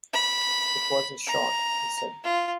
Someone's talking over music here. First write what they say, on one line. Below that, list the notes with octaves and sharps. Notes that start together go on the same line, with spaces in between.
"It was a shot," he said.
B5
A#5
F4